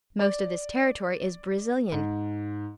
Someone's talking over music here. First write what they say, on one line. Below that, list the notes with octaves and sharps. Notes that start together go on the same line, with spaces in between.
Most of this territory is Brazilian.
D5
G#2